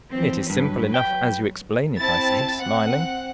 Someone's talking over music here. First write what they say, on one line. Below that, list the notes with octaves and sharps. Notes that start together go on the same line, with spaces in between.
"It is simple enough as you explain it," I said, smiling.
E3 F3 C4
G2 F#3 B4
G5
C4 E4 A5 A6
C4 F#5